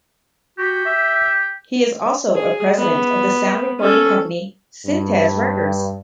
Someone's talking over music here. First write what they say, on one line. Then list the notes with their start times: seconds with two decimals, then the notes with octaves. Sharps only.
He is also a president of the sound recording company Sintez Records.
0.58 F#4 G4
0.86 E5
2.35 G#4
2.77 B3
3.80 C#4 A4
4.85 G2